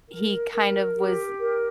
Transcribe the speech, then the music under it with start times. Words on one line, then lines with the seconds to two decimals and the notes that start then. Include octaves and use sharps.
he kind of was
0.09 A#4
0.52 A#4
0.95 G4
1.39 A#4